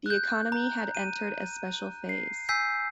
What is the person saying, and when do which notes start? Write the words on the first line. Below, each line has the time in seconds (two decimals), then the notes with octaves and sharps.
The economy had entered a special phase.
0.06 F#6 G6
0.52 A#5
0.95 D#7
2.09 C7
2.49 G#5 E6 G6 B6 C7